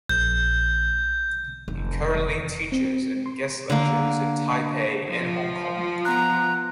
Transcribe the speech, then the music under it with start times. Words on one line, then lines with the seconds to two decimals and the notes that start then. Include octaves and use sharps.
He currently teaches and guest lectures in Taipei and Hong Kong.
0.09 A#1 G6
1.68 F1
2.72 C4
2.85 C4
3.26 C6
3.70 D3 A#3
5.09 F3
6.05 B3 A#5 F#6